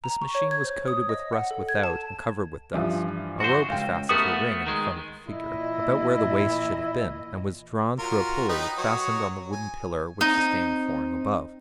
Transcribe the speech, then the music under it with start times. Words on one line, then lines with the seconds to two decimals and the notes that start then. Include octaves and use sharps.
This machine was coated with rust without, and covered with dust; a rope was fastened to a ring in the front of the figure, about where the waist should have been, and was drawn through a pulley, fastened on the wooden pillar which sustained the flooring above.
0.04 A#5
0.22 C#6
0.35 C#5
0.51 G#6
0.64 C5
0.88 D#6
1.09 D#5
1.33 F#5
1.51 A4
1.69 G#6
1.84 A5
2.73 G2 E3 F3
3.40 F#4 C5
3.69 C#2 F5 G5
4.09 A3 B3 F#4 A#4 D#6
4.67 D#3 G#3
5.28 A#2 E3 E4 D#5
7.99 F#3 F4 A#4
8.49 D#4 B4 G5
8.78 F#3 C#5 D#6
9.52 G#5
10.21 C4 D#4